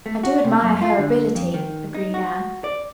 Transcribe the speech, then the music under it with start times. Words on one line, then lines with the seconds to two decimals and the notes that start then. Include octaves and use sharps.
"I do admire her ability," agreed Anne.
0.06 A3
0.23 F#4
0.44 C3
0.62 F#2
0.82 F4
0.98 D3
1.35 F2
1.54 D#3
1.94 D#4
2.14 F#4
2.64 D5